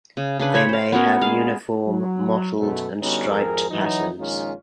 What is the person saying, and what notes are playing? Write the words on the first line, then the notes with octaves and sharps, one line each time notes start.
They may have uniform, mottled, and striped patterns.
C#3
C#3 D4 B4
C#4 C5 C#5 B5
C5 F5
B3 C#4 F#4 A#4
G#3 G#4 F5
F#3
F#2 B2 A3
D3 G3 B3 C#4 D#4 F#4
G#1 F2 C4 G#4 A#4
E3 F#3 D#4
A#1 D#3 G#3 C#4 D#4 F4